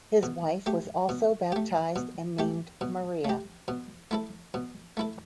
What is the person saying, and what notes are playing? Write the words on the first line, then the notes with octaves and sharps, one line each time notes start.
His wife was also baptised and named "Maria".
B2
A3 G4
B2
A3 G4
B2
A3 G4
B2
A3 G4
B2
A3 E4 A4
B2
A3 E4 A4